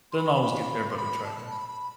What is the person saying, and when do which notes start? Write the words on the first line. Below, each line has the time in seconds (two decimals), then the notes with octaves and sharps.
Doesn't always get there, but we try, yeah.
0.12 C6
0.17 B5
0.90 C6
0.97 B5
1.24 A5
1.50 B5
1.68 B5